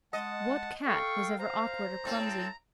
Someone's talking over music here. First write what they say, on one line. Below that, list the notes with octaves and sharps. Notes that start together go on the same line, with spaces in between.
What Cat was ever awkward or clumsy?
G#3 D#5 F#5 A5
A4 F5 G5 C#6
C5 F5 A#5
A2 C4 A5